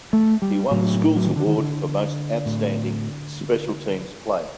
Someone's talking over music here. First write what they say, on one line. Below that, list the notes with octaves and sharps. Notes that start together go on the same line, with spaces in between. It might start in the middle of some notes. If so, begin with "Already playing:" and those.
He won the school’s award for Most Outstanding Special Teams Player.
A3
G3
A2 F#3
F#3
D#3
D3
D#3
D3
A2